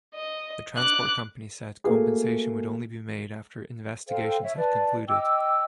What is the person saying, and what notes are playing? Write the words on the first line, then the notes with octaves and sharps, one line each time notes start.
The transport company said compensation would only be made after investigations had concluded.
D#5
D6 F#6
A3 A#3 F#4 G#4
A4 C5 F5 G5
C#5 E5
B4 D5 A5
D#5 G5 D6 E6